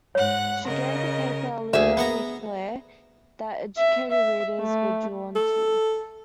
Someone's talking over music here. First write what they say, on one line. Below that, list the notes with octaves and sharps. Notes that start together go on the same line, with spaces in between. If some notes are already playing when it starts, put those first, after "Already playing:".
She gave the paper a literary flare that educated readers were drawn to.
G#2 C#5 F#5 F#6
C#3 A#4 D#5
D2 G#4 E5
B3 F#5 A#5
E5
E5
A3
A4